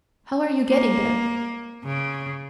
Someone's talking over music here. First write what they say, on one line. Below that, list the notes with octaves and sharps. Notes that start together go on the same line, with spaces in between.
"How are you getting there?"
A#3
C#3